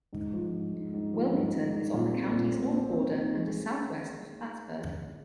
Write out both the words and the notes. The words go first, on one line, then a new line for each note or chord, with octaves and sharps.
Wilmington is on the county's north border and is southwest of Plattsburgh.
G#2
F3
G#2
G#2
G#2
F3
G#2
G#2
D#4
A#2
C4
A#2
C4
C4
C4
D#4
G#3